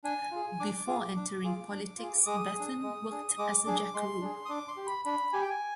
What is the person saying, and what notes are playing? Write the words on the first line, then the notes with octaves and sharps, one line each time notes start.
Before entering politics, Bethune worked as a jackaroo.
D4 G#5
F4 G#4
D4 D6
F4 G#4
D4
F4 G#4
D4
F4 G#4
G#3 D#6
G#4
D4
G#3
D4 G#4
G#3 D6
D4 G#4 D6
G#3 C6
D4 G#4
D#6
D4 D6
C6
G4
B5
D4 B5
G4 G#5
G5
G#5